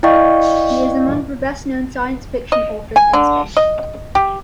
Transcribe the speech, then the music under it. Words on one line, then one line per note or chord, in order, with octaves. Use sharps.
He is among the best-known science fiction authors in Spain.
E4 D5 D#5 F5 G5 C#6
D#5
G#5
D3
D#5
G4